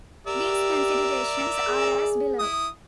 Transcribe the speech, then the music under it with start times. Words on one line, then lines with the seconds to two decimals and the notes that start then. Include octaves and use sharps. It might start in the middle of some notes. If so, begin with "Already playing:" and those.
These considerations are as below.
0.27 G4 A#4 D5 E5
1.68 G#4
2.39 E4 D#6